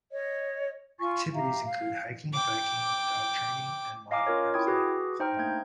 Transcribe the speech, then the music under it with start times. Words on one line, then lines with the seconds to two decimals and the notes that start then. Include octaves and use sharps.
Activities include hiking, biking, dog training, and model airplane flying.
0.12 C#5 D#5
1.00 F4 G#5 C#6
1.34 G4 E5 F5 A#5
1.66 F5
2.33 G5 D6
4.11 D#5 F5 G#5 A#5 D6 F6
4.27 C#4 F4 A#4 C#5
4.54 E4 G5 C#6 D#6 G#6
4.67 F#4 G#4 B4 D6 A#6
5.20 D#4 C5 G5 A#5 F6
5.37 A3 A#3 D4 G6 G#6